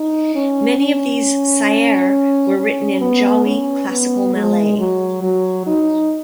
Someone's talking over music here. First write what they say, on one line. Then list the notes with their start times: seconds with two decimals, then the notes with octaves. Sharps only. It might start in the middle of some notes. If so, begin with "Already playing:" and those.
Many of these "syair" were written in Jawi classical Malay.
Already playing: D#4
0.35 C#4
0.79 C#4
2.57 C#4
3.01 B3
3.46 C#4
3.89 B3
4.34 G#3
4.78 F#3
5.22 F#3
5.67 D#4